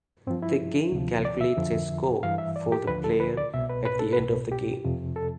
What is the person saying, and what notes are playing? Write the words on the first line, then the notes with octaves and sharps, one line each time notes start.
The game calculates a score for the player at the end of the game.
G2 F3 C4
E4
D2 C3 F3
D5
E5
F2 D3 F3
G2 E3 F5
E5
D5
G4
D2 D3 F3 B4
A4
B4
D5
C2 B2 E5
B4
B4
A4
B4
C2 B2
G4
F2 C3 F3
A4